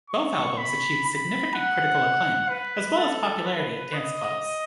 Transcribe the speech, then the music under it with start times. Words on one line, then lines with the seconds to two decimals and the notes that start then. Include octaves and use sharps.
Both albums achieved significant critical acclaim as well as popularity at dance clubs.
0.10 C#6
0.58 B5
1.05 B5
1.54 F#5
2.49 B4
2.98 A4
3.46 B4
3.94 D#5